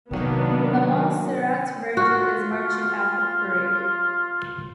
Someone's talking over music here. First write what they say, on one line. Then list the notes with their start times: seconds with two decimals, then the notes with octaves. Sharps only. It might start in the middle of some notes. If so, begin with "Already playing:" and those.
The Montserrat virgin is marching at the parade.
0.11 C3 D#3 F#3 A#3 B3 D4
1.97 F4 F#4